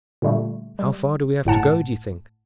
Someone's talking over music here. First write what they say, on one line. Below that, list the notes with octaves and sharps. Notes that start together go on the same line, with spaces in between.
"How far do we have to go do you think?"
A#2 D3 G3 A3
G3
G1 A2 F#5 A5